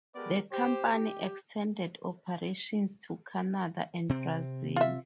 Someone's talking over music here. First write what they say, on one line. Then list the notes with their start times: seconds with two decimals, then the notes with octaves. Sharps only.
The company extended operations to Canada and Brazil.
0.15 G#3 B3 G4 A#4 B4 D5
0.52 G4 C5
0.93 G4
4.09 C3 C4
4.76 F4 E5